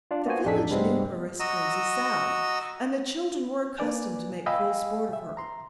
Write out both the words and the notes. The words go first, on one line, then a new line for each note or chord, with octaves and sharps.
The village knew her as Crazy Sal, and the children were accustomed to make cruel sport of her.
D4 F4
A#3 B3 F4 F#4 C5 G#5
A1 F2 D4 D#4 A4 B6
G2 C3 G3 G#3 B3 C4
F#4 D#5 A#5 E6
A#3 B4 D5 G#5
D#5 F5 G5 G#5 B5 E6
E5
A#5 C6